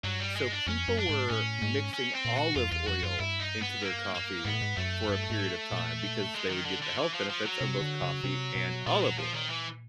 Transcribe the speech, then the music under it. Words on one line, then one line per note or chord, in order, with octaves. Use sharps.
so people were mixing olive oil into their coffee for a period of time, because they would get the health benefits of both coffee and olive oil.
G2 F#3
G3
G#3
D4
F2 C#4
F#2
D4
G#2
A2 C#4
G#2
C#4
C4
A#2
F#4
F2 F4
E2 F4
F2 F#4
F#2 F4
G2 E4
D#4
B3
A#3
A#3
G#2 B3
A2
G#2
F#2 A3
G2
G#2
A#2
G#3
D#3
D3
D3
E3
F3
F3
F#3
C3
D3
C#3
C3
B2
A#2 F3
F#3
F3
D#3
E3